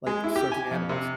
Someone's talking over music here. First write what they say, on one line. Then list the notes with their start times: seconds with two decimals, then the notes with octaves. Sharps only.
like, certain animals.
0.07 G#3
0.24 E4
0.36 G4
0.52 G#5
0.71 F2
0.89 C3